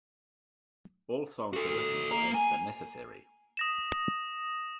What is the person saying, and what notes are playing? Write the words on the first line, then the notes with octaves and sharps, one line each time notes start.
All songs are written by The Necessary.
F#4 A4
A#3 A#5
G#5
D#6 A#6 E7